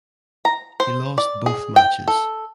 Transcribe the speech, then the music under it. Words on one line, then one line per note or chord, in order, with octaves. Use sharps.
He lost both matches.
A#5
C5
D5
G#4
G5
A4